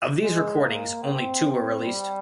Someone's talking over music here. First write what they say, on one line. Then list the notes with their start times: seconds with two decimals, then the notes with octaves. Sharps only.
Of these recordings, only two were released.
0.23 G#3
0.63 A#3
1.03 C4
1.83 G3